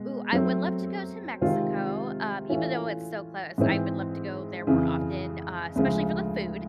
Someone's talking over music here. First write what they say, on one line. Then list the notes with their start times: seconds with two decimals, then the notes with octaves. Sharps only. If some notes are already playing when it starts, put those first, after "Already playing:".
Ooh, I would love to go to Mexico, um, even though it's so close, I would love to go there more often, uh, especially for the food,
Already playing: B2 G#3
0.33 F#3 A3 C4
1.41 C3 D#3 G#3 C4 F4
2.49 E3 A3 C#4 F4
3.58 G#2 E3 G#3 C4
4.67 F2 C#3 E3
5.76 D2 C#3 F3 G#3